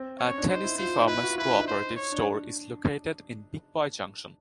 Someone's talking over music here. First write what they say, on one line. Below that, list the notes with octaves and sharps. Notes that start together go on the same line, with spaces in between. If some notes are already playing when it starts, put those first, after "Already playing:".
A Tennessee Farmers Cooperative store is located in Big Boy Junction.
Already playing: C4
C#5
C#4
D4
D#4 C5
E4
F4 C5
F4
D#4
E4 B4
F#4
F4
E4 B4
D4
D#4
C5
C#5
D4